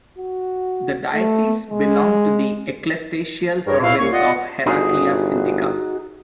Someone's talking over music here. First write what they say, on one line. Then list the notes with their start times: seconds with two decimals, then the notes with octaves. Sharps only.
The diocese belonged to the ecclesiastical province of Heraclea Sintica.
0.18 F#4
1.14 A3
1.70 G#3
3.67 G2 G#4 A#4 C#5
3.81 C#2 A#2 E4 F#4 F5
3.98 C2 A#3 C#5 C#6
4.12 F4 D5 D#5 F#5
4.66 G1 D#4 F#4 G#4